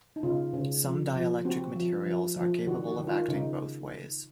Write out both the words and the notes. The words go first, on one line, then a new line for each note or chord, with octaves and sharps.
Some dielectric materials are capable of acting both ways.
D#4
C#3 F4
C#3
F3
F3
C4 F#4
F3
F3
F3
D#3 F#4
F#4
D#3
F4
C#3 D#4